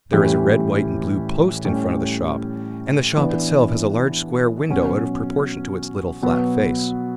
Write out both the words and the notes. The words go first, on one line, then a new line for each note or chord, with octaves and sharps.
There is a red, white and blue post in front of the shop and the shop itself has a large square window out of proportion to its little flat face.
A2 E3 G3 C#4 G4
A2 G3 C#4 G4
E3 B3 D4
B2 F#3 C#4
B2 F#3 B3 F#4